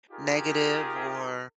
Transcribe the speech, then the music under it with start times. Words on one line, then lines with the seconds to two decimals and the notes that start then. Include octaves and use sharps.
negative or
0.11 D#4 F4 G4 G#4 A#4